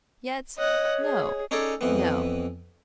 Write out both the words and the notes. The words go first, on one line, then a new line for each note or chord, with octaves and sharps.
Yet, no! No.
C#5 D#5 F#5
G#4
C#4 D#4 G#4 A4 C#5 D5
F2 E3 B3